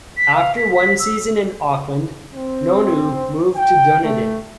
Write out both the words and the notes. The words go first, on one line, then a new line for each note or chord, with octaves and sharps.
After one season in Auckland, Nonu moved to Dunedin.
B6
F5
B6
B6
E6
C4
G5
A3